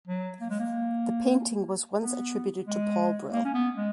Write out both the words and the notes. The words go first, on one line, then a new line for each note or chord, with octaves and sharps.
The painting was once attributed to Paul Bril.
F#3
A#3
G#3
A#3
B3
G#3
A#3
C#4
B3
G#3